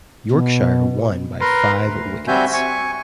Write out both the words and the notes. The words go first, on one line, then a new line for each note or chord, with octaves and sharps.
Yorkshire won by five wickets.
B2
A#4 B4 A#5 C6
D2
G3 C4 F#4 E5 G#5 G6
G#5 C#6